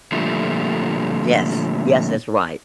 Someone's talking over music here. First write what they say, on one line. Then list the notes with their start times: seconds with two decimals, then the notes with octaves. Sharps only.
Yes, yes, that's right.
0.12 A#2 D3 F3 G3 A3